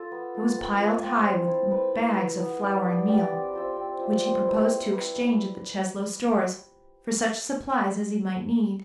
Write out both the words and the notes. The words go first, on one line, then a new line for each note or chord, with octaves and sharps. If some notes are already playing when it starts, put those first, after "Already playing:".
It was piled high with bags of flour and meal, which he proposed to exchange at the Cheslow stores for such supplies as he might need.
Already playing: F4 A4
B3
F4 A4
C4
F4 C5 F5
C4
F4 C5 F5
E4
B4 E5
E4
B4 E5
B3
D4 G4 D5
B3
D4 G4 D5
C4
F4 C5 E5
C4
F4 C5 E5
C4
E4 B4 E5
C4
E4 B4 E5